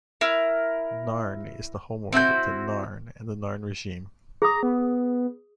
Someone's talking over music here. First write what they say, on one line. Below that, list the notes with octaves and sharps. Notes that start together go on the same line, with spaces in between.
Narn is the homeworld of the Narn and the Narn Regime.
E4 A#4
C4 E4 F#4 G6
G#4 A#5 D#6
B3